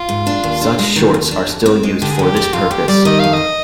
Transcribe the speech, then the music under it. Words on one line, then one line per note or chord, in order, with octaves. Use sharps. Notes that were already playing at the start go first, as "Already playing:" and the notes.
Such shorts are still used for this purpose.
Already playing: F4
G#2
D4
D#2
D4
G#3
D#3
D#2
D4
F2
C4
G#3
D3 G4
G#4
F2 G4
C4
F2 F4
F2 G4
G3 D5
D#3 D#5
F2 F5
D#5